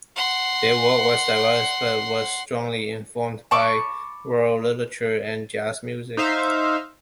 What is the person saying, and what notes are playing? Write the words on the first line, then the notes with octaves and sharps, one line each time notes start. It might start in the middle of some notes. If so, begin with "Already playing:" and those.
Their work was diverse but was strongly informed by world literature and jazz music.
F#5 C6
A5 B5 C#6 D6
D#4 C5 E5 F5